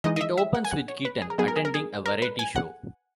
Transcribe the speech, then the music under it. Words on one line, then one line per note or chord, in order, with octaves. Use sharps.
It opens with Keaton attending a variety show.
E3 G#3 D#4 D#5
D#5
E5
E5
F#5
G#5
F#5
C#5
B4
G#4
A#4
F#3 B3 D#4 G#4
A#4
G#4
A#4
G#4
A#4
B4
G#5
F#5